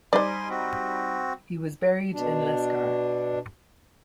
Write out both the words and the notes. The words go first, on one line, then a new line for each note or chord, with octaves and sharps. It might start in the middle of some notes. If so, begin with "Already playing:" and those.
He was buried in Lescar.
G3 D#4 C5 D5 G#5 C6
C4 F#4
B2 D4